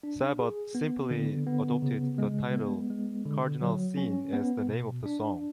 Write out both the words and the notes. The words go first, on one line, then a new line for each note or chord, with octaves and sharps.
Sabbath simply adopted the title "Cardinal Sin" as the name of the song.
D4
G#4
B3
D3
B3
C#3
G#3
B3
G#3
D3
F#3
C#4
B3
B2
D4